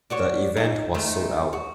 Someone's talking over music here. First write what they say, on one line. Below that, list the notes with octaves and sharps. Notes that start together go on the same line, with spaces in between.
The event was sold out.
D4 F#4 C#5
D#4 A4
D#3 A3
F#4